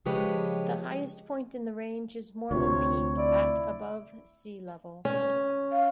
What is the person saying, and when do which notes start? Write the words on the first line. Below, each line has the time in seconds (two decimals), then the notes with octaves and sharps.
The highest point in the range is Mormon Peak, at above sea level.
0.05 C#3 F3 G#3 G4 B4 C#5
2.51 D2 C3 F4 C#5
3.18 E4 D5
5.05 C#4
5.71 F5